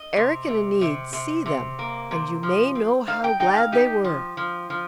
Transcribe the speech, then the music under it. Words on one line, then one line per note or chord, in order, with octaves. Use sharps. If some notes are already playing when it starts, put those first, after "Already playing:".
Erec and Enide see them, and you may know how glad they were.
Already playing: D#5
C3
C3
C3
C3
C3
A#3
C3
F3
C4
D#4 F5
G5
D#4 G5
F5
D#4 G4
F3
F3
F3